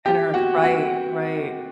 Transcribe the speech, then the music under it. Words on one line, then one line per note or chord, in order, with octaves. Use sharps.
And Earth, right, right.
G4 G5
F#4 F#5
F#4 F#5